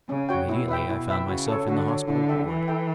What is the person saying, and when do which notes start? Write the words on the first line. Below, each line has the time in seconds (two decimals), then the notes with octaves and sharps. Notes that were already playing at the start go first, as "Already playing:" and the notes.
Immediately I found myself in the hospital ward.
0.09 C#3 C#4
0.29 F#4 C#5 G5
0.48 B2 E4
0.68 B4 E5 G5
0.88 B2 E4
1.08 B4 E5 G5
1.28 C#3 F#4
1.48 A4 C#5
1.68 D3 F#4
1.88 A4 C#5
2.07 D3 E4
2.28 A4 E5 G5
2.48 E3 E4
2.68 A4 E5 G5